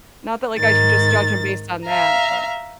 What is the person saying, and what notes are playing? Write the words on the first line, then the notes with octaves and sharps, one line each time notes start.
Not that, like, I should just judge him based on that, but
G#2 D#3 A6
E5 F5 A#5